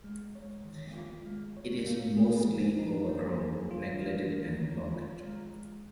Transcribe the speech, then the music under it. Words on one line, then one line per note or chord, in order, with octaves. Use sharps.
It is mostly overgrown, neglected and locked.
G#3
C#5
D#3
F4
G#3
C#5
A#3
G#4
F3
D#4
A#3
G#4
F4
G#3
G#3
C#5
F4
G#3
G#3